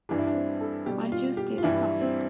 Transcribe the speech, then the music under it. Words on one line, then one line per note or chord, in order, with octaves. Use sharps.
Banjo Steps Out.
G2 E3 G3 D4
E4
D4
C4
A4
B2 G3 G4
F4
G4
F4
G2 E3 G3 E4
C4